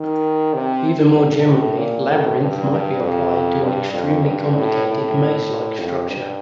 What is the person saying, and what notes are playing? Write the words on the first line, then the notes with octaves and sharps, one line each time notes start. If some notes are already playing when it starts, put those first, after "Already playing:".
Even more generally, "labyrinth" might be applied to any extremely complicated maze-like structure.
Already playing: D#3
C3
G2
A2
A#2
A2
G2
G2
F2
G2
F2
G2
A2
A2
F2
G2